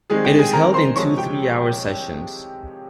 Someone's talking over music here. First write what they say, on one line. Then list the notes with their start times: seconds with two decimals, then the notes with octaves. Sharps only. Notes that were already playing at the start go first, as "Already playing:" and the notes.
It is held in two three-hour sessions.
0.10 D#3 G3 G#3 C4 G#4
0.24 G4 G5
0.39 G#4 G#5
0.52 D#3 G#3 C4 A#4 A#5
0.74 C5 C6
0.96 C3 F3 G#3 C#5 C#6
1.17 G4 G5